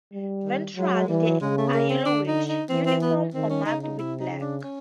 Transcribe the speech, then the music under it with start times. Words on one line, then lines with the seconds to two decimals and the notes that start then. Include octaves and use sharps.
Ventrally they are yellowish, uniform or marked with black.
0.13 G3
0.44 D#3
0.76 F#3 G#3
0.93 G#3
1.09 E3 G3
1.25 F#3
1.41 C#3 G#3
1.58 A3
1.67 B3
1.73 A#3
1.90 C4
2.05 D3 D4
2.27 D#4
2.48 D#4
2.69 E3 C4
2.86 C4
3.02 B3
3.34 D#3 C4
3.50 C#4
3.66 C#3 D#4
3.83 D#4
3.98 C3 E4
4.20 D#4
4.31 C#3
4.41 D4
4.63 C#4